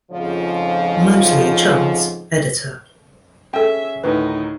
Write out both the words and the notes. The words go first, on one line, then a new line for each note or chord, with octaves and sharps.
Mosley, Charles, editor.
F2 G#2 C#3 F3
C#4 G#4 A4 E5 G5
D2 A2 D#3 D#4 B4